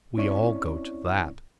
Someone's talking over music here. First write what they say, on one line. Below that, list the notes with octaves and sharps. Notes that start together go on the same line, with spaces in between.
We all go to that.
C4 C#4 E4 C#5 D5 C#6